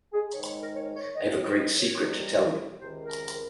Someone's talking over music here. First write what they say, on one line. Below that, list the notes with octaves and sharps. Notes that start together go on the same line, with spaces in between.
I have a great secret to tell you!
G#4
G#2 D#3 G#3 C#5
C#5
A#4
C#5
C#5
D#2 D#3 G3 D#5
C#5
D#5
C#5
C2 C3 D#3 G3
C#2 C3 D#3 C5
A#4